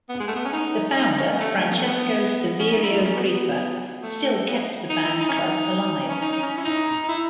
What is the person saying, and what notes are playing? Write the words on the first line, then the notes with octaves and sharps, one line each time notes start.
The founder, Francesco Saverio Briffa, still kept the band club alive.
B3
G#3
A3
B3
C#4
D#4
D#4
C#4
B3
A3
C#4
B3
A3
B3
C#4
D#4
E4
D#4
C#4
B3
A3
B3
D#4
E4
D#4
C#4
D#4
C#4
D#4
D#4
C#4
E4
D#4
D#4
E4